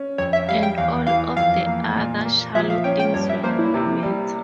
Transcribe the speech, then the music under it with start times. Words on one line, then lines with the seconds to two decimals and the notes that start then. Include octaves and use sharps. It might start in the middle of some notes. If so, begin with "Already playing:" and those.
And all of the other shallow things will not matter...
Already playing: C#4
0.18 F2 C#5
0.33 E5
0.48 G3 F5
0.63 G5
0.78 E2 F5
1.07 E3 F5
1.36 F2 F5
1.66 A#3
1.96 A#2
2.25 A#3
2.55 F3 E5
2.70 F5
2.84 C#4 G5
3.00 G5
3.14 G2 C#5
3.29 E5
3.43 A#3 C5
3.59 E4
3.74 C3
4.03 G3